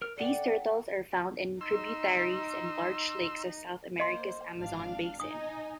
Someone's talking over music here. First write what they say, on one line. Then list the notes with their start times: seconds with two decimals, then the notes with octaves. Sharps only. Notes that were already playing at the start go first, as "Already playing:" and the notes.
These turtles are found in tributaries and large lakes of South America's Amazon Basin.
0.02 A#4 F6
0.18 A4 D5 F#5 G5
1.61 D#4 C6 E6
4.00 A#3 C5 D#5 C6
4.57 G#1 D4 F5
5.20 D#4 D#5 G#5 D#6